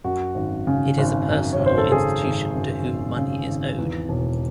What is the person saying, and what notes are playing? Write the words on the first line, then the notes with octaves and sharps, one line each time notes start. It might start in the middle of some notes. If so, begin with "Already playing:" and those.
It is a person or institution to whom money is owed.
F#2 F#4
G#1
C#3
G#1
F#2
C#5
G#1
C5
A4
C#3 G#4
G#1
F#2
G#1
C#3
G#1
E2
E1